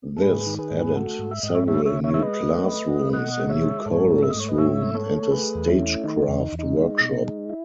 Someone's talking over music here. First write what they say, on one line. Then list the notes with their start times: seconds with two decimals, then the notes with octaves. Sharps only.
This added several new classrooms, a new chorus room, and a stagecraft workshop.
0.17 A4
0.22 G#2 G#4 B4
0.46 D#3
0.58 G#4 B4
0.71 G#2
0.95 A3 F#4 A4
1.19 G#2
1.31 E5
1.43 G#2 D#5
1.55 C#5 E5
1.68 G#3 C#5 E5
1.85 C#5 E5
1.92 C#3
2.04 C#5 E5
2.14 G#3 E5
2.22 B4 D#5
2.41 A3
2.64 A3
2.89 A3
3.13 B2 D#5 F#5
3.37 G#3
3.49 C#5 E5
3.62 G#3
3.85 G#2 A4 C#5
4.10 A3
4.23 E5
4.30 D#5
4.34 G#2
4.40 C#5
4.48 B4 D#5
4.58 G#2 C#5 E5
4.83 A3
4.95 A4 C#5
5.06 A3
5.23 A4
5.31 A3 G#4 B4
5.55 E2
5.67 C#4 E4
5.79 A3
6.04 D#3 D#4
6.22 C#4
6.28 E2
6.40 D#4
6.52 E2
6.59 D#4
6.77 G#3
7.01 B2
7.25 G#3
7.49 E4